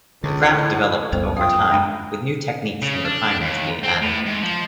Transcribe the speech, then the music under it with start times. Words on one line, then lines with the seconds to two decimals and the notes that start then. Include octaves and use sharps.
The craft developed over time, with new techniques and refinements being added.
0.24 C#2 D3
0.52 A2
1.12 C#2 F#2 G3 B3 A4 C5
1.37 F#2 F4 E5 F5 G5 D#6
1.70 G#3 D4 B5
2.82 C#3
3.04 D4
3.41 D#2
3.84 C4
4.02 A2
4.26 G#2
4.43 F3